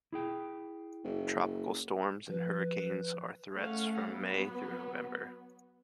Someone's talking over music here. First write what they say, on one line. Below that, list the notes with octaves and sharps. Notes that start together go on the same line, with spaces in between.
Tropical storms and hurricanes are threats from May through November.
E4 G#4 G5
F#1
F3 B4
A3 C#4 F5 F#5
F#3 B3